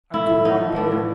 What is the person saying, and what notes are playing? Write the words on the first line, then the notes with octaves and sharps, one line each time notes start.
I could not bear it.
A2 E4
A2
A2 D#4
F3
A2 D4
A2